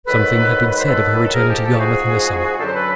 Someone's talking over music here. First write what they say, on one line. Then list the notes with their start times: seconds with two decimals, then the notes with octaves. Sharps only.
Something had been said of her returning to Yarmouth in the summer.
0.07 G#2 D#3 F#3 A4 B4
0.70 B4
0.78 C5
0.86 A4 B4
1.23 A4
1.33 G#2 F3 G#4 A#4
1.48 G4 A4
1.64 G4 A4
1.79 F#4 G#4
2.58 F#2 D3 F#3 G4 A4
2.68 C5
2.73 A4 B4